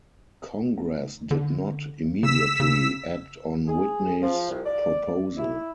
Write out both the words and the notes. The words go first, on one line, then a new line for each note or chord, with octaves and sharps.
Congress did not immediately act on Whitney's proposal.
D3
C#3 E6 B6
C#3
G#4
F3
C2
D5
E4